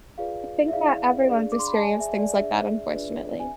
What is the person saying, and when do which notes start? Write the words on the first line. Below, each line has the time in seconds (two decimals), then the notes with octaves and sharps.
I think that everyone's experienced things like that, unfortunately.
0.18 F4 G#4 B4 D5 F5
0.68 E5
0.72 E4 G#4 D5 F5
1.27 D4 G#4 D5
1.52 D6
1.59 C6
1.67 B5
1.74 A5
1.82 G#4 D5 G#5
2.00 E5
2.18 D5
2.37 D4 G#4 D5 E5
2.91 D4 F4 G#4 B4 D5
3.40 G#5